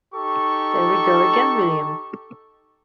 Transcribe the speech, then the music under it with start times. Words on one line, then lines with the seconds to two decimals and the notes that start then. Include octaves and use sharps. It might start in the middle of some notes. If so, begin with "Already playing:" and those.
There we go again, William!
0.15 D#4 G4 A4 C#6